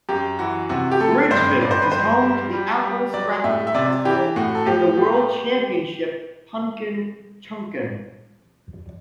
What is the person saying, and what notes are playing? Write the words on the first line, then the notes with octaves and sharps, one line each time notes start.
Bridgeville is home to the Apple Scrapple Festival and the World Championship Punkin Chunkin.
F#2 G4
E3 F#4
C3 F#4
G4
A3 A4
G2 C5
G2 D5
C5
B4
G2 C5
G3
G3
G3
F#3 D5
A2 E5
E5
C3 D5
E3 G4
A2 F#4
A4
A2 G4
A3